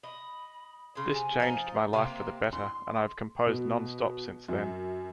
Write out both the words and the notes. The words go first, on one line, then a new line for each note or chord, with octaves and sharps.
This changed my life for the better and I have composed non-stop since then.
D#5 B5
C#3 G#4 C6
C3 G#5
F3 D#4
C3 A#3 C4 F5
C6
B2
F#2